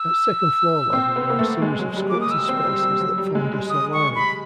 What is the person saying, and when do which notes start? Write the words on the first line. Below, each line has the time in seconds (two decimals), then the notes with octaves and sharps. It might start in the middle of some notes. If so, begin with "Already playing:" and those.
At second floor level were a series of sculpted spaces that formed a solarium.
Already playing: E6
0.93 C4
1.16 B3
1.30 A#3
1.39 A3
1.62 G#3
1.79 F#3
1.96 G3
2.10 A#3 D6
2.21 D#6
2.31 E6
2.49 C4
2.66 G3
2.83 G3
3.01 F#3
3.18 G3
3.35 G#3
3.52 G3
3.70 D#6
3.93 C#6
4.15 B5